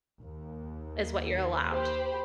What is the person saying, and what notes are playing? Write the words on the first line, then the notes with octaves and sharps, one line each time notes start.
is what you're allowed."
D#2
G4 C5 B5